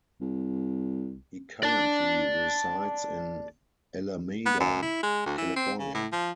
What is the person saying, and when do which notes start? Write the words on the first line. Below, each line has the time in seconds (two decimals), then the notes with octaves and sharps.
He currently resides in Alameda, California.
0.21 C2
1.63 D5 A5
4.46 B3
4.61 F#2
4.82 E4
5.03 G#3
5.26 D2
5.38 E3
5.56 C4
5.79 C#3
5.95 A2
6.12 F3